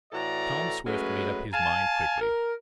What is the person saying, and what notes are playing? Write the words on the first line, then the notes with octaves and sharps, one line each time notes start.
Tom Swift made up his mind quickly.
A2 E3 F#4 A4 D5 A#5
F#3 G#3 A3 C#4 B4
F5 G#5 A5
A#4